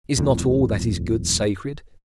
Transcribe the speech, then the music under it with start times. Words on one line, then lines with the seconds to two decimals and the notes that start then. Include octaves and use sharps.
Is not all that is good sacred?
0.17 D#1 F2 A2